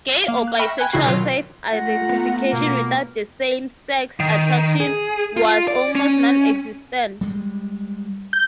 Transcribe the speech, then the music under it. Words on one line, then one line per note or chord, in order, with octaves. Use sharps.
Gay or bisexual self-identification without same-sex attraction was almost non-existent.
A#3 F5
F#6
E5 G5 B5 C#6 F6 A#6
G5 G#5 B5 F#6 G#6
A1 C#3 E4 F#4 G5 C7
B2 D#3 F#3 F4
A3 F4 F#5 A#5
B3
B2 A#3
D#3
G#4
F4
D5
C#4
G3 G#3
G6